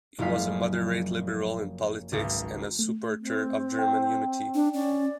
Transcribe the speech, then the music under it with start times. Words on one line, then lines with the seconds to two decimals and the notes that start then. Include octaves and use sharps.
He was a moderate liberal in politics and a supporter of German unity.
0.18 F#1 F3 G#3 F5 B6
2.12 G#1 C#2
2.79 A3
3.21 C4
3.79 G5
4.54 D4
4.73 C#4 D5